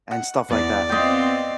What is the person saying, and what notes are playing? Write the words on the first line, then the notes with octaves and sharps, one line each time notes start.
and stuff like that.
F#5
E2 D5
B3 C4 F4 D#5 G5